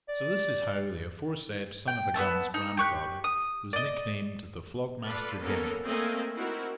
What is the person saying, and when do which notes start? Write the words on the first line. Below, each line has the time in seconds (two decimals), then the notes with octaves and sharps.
So this is how the aforesaid son of a gun's grandfather was nicknamed the flogmaster-general.
0.09 D5
1.88 G5
2.14 B3 C#4 E5 A5
2.54 D#4
2.77 G4 C#6 F#6
3.24 D#6
3.73 D5 D#5
5.05 F4 A4 B4 D5
5.40 A#3 B3 C#4 A4 A#4
5.85 A3 A#3 C4 D#5 F5 G#5
6.35 C4 D#4 E4 F#4 A#4